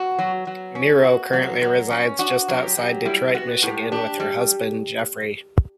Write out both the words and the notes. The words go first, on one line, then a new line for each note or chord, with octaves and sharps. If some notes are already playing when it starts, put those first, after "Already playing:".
Miro currently resides just outside Detroit, Michigan with her husband, Jeffrey.
Already playing: B3 F#4
F#3
F#3
C#4
F#4
F#3 A3
F#3
C#4
D4 F#4
F#3
G4
F#3
G3 E4
B3 F#4
A2 G4
D4 G4
G3